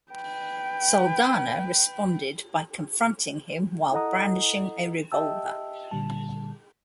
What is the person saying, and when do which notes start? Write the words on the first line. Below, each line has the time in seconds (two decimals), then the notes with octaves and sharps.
Saldanha responded by confronting him while brandishing a revolver.
0.12 B4 G5
3.92 E4 A4 D#5 F#5 A#5 D#6
5.12 G4 D#5 E5 G5 A5 E6
5.91 A#2 D3 G3 A5